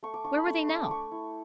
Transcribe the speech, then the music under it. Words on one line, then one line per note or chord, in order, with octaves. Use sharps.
Where were they now?
A3 C#6
D6
D4 C#6
B5
A3 C#6
D4 C#6
D6
A3 C#6
E4